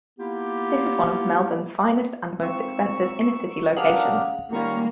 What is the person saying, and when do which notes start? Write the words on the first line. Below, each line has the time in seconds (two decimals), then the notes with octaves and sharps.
This is one of Melbourne's finest and most expensive inner-city locations.
0.19 A#3 B3 E4 F4 G4
2.42 G#2 C4 F4 C#6 E6
3.77 C#4 D4 G4 G#4 A#4 F5 F#5
4.53 D#3 G3 A#3 C#4 F4 A#5 C#6